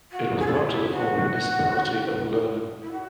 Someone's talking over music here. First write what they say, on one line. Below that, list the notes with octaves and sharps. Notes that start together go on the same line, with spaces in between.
It was part of the former municipality of Loenen.
F#4
G#4
A4
G#4
E4
F#4
E4
F#4